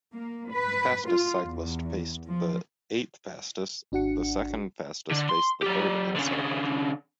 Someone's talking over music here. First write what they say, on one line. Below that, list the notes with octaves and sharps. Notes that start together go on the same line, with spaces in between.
The fastest cyclist faced the eighth-fastest, the second-fastest faced the third, and so forth.
A#3
B4
F4
E2
F3
G#1 D4 F#4 F#5 C#7
D3
C6
F#3 G4
D3 C#4